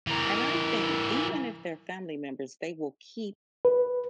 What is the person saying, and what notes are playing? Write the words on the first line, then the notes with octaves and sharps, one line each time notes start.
And I think even if they're family members, they will keep
E3 A#4
B4